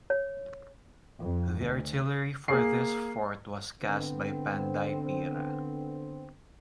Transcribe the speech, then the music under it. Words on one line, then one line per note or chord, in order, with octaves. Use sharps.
The artillery for this fort was cast by Panday Pira.
C#5
F2
D2
A#3 G#4 C7
D3 B3 C4